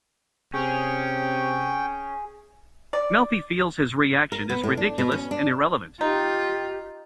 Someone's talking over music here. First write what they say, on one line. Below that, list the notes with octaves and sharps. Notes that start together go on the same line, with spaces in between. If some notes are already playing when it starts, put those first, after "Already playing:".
Melfi feels his reaction is ridiculous and irrelevant.
C3 C#4 G#4 G5
D5
A#4
B3
A2
D4
B2
C#4
D4
D#4 F4 G4